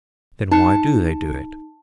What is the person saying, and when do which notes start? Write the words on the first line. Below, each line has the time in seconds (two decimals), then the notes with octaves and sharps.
Then why do they do it?
0.51 D#4 A5 C#7